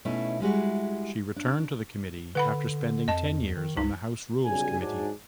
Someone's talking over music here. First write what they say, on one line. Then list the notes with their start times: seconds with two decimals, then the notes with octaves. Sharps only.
She returned to the committee after spending ten years on the House Rules Committee.
0.05 B2 A3 C#4 D#4 E4
0.40 G3 G#3 E4 F#4
1.36 D4
2.35 D3 B4 F#5 B5
3.08 F2 D#5 A5
3.41 E2
3.57 D#3
3.77 C#2 D#4
4.45 B1 C#3 G3 G#4 G#5
4.80 G#2 F#3 D4 G#5